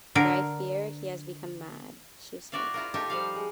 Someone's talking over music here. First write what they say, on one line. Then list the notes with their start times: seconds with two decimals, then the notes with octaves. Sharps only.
"But I fear he has become mad," she said.
0.15 D3 A#4
2.52 E4 F#4 D5 E5 F5
2.74 E4 F4 A#4
2.94 D#4 F4 G4 A4 E5
3.10 F3 G3 F5
3.35 G#3